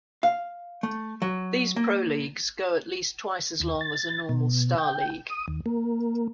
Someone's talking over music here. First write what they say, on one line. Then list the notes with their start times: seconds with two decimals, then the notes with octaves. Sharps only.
These pro leagues go at least twice as long as a normal Starleague.
0.23 F5
0.83 A3
1.22 F#3
1.76 A#3
3.60 D#2
3.81 A6
4.29 B2
4.78 G5
5.30 D#6
5.48 D#2
5.66 A#3